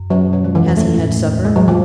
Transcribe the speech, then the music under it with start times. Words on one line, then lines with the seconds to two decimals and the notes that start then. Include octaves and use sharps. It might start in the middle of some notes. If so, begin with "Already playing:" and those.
Has he had supper?'
Already playing: F#2
0.10 F#3 C#4
0.28 B2
0.33 F#3
0.44 F3 G#3
0.55 E3
0.61 E2
0.77 A3 C#4
0.94 A2
1.12 A3
1.28 E2
1.45 G#3 A3
1.56 F#3
1.68 F3